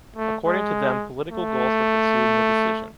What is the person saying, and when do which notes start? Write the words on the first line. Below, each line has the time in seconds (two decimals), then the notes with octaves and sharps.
According to them political goals were pursued in the decision.
0.16 A3
0.46 G#3
1.30 A3